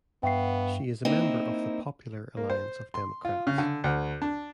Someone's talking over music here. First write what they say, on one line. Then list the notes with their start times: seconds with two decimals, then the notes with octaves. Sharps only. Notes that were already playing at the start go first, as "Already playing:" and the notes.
She is a member of the Popular Alliance of Democrats.
0.23 G2 B3 E5 F5 G5 C#6 C7
1.05 A#3 C4 D#4 E4
2.37 A#3
2.50 C5
2.94 C6
3.25 F4
3.47 C#3
3.58 D3
3.84 D2
4.22 D4